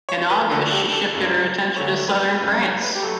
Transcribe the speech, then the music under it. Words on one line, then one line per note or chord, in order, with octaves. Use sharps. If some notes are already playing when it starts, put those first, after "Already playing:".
In August, she shifted her attention to southern France.
C#5
B4
D2 D3 A3 A4
G4
A4
F#2 C#3 G3
D2 D3 F#3 A3 C#5
B4
F#2 C#3 G3 B4
C#5
B4
G4
F#3 A3 A4